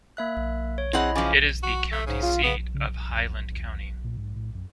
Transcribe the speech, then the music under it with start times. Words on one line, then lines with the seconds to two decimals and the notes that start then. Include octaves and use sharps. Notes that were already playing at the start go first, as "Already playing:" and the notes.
It is the county seat of Highland County.
0.17 A#3 E5 F#6
0.78 C#5
0.93 C4 E4 G#4 D#5 F#5 B5
1.16 C#3 F3 G#5 D6
1.63 F#4
1.92 A3
2.07 G#2 C#3
2.22 F4
2.43 C#3 B3
2.74 C#3
2.92 A#1
3.09 E2
3.36 A1
3.56 D#2
3.82 G1
4.04 A#2
4.17 G#2
4.36 A2
4.55 F#2